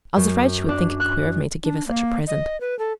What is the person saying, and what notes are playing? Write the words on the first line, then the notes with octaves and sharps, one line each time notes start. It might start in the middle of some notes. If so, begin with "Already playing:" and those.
I was afraid she would think it queer of me to give her such a present.
F#2
D4
F#6
D4
A#3
D#5
B4
A4